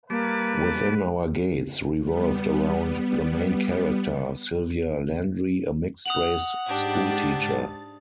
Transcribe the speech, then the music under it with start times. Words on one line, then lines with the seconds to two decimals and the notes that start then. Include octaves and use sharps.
"Within Our Gates" revolved around the main character, Sylvia Landry, a mixed-race school teacher.
0.10 G3 A#3 B4 A5 D6
2.03 G3 B3
6.06 F#5 D#6 F7 F#7
6.66 G#2 D4 G4 A6